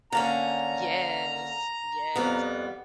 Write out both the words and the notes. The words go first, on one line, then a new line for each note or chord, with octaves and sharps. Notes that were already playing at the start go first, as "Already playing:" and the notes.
Yes, yes.
D3 A#3 C#4 A#5
F2 G3 B3